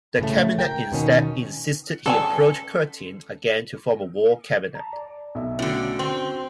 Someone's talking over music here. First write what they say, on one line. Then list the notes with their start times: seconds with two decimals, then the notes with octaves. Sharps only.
The Cabinet instead insisted he approach Curtin again to form a war cabinet.
0.19 A2 C#3 A3
0.59 A#4 G5
0.92 B2 D#3 C#4
2.06 C#3 A4 D5 G#5
4.75 A5 A#5
4.93 D5
5.35 B1 E5
5.59 A2 D3 C#4 F#4
5.99 C4 C6 C#6